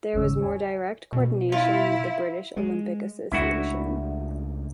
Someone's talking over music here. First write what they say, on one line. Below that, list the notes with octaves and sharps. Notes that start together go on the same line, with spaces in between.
There was more direct coordination with the British Olympic Association.
G1 D#2 G#2 C#3 C#5 E6
C#5 G#5
B2
E4 F4
G#3
C#2 A3 D4 E4 F#4